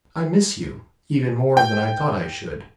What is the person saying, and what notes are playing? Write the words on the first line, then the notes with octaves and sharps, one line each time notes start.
I miss you--even more than I thought I should.
G5